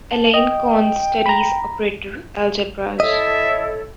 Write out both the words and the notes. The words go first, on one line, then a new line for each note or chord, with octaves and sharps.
Alain Connes studies operator algebras.
A5
D#5 G5
A#5 B5
E4 A4 C#5 D#5 E5